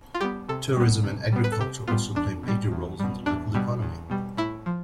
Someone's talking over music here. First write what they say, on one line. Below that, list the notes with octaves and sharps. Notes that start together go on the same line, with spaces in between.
Tourism and agriculture also play major roles in the local economy.
F4
G3 B3 G4
C3 A4
G3 B3
C3
G3 B3
B4
A4
C3 G4
G3 B3 F4
E2 D4
B2 G3
E2
B2 G3
E2 D4
B2 G3
E2
B2 G3
A2 E4
F3